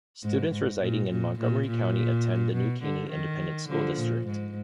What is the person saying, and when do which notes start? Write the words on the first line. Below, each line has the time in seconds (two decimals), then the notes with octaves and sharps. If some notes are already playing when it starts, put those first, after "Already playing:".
Students residing in Montgomery County attend the New Caney Independent School District.
0.24 G#2
0.52 G#2
0.81 A#2
1.10 A#2
1.39 A#2
1.68 A#2
2.53 B2
2.83 D3
3.11 D#3
3.69 D3 F3
3.98 A#2
4.26 G#2